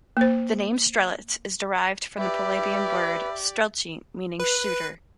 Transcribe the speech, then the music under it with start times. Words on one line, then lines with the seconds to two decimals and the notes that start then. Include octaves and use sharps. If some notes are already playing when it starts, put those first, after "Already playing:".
The name "Strelitz" is derived from the Polabian word "Strelci", meaning "shooter".
0.17 A#3 C5
2.17 G4 B4 D5 E5
4.40 B4